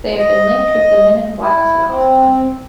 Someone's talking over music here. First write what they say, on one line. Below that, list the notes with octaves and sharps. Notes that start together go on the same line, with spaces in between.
They have been linked with the Men in Black phenomenon.
D#5
E4
C4